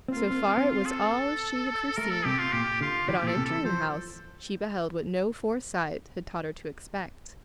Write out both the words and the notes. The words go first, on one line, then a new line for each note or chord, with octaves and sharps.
So far it was all as she had foreseen; but on entering the house she beheld what no foresight had taught her to expect.
C4
A#3 F4
C4
C4
A4
A3 A#4
A4
C3 G4
F4
A#2 G4
D3 F4
E3 G4
A#2
A4
C3
E3 A4
F3 C5